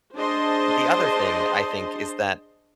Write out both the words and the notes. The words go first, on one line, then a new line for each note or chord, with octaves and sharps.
The other thing I think is that
D4 G#4 C5 D#5 A5 C6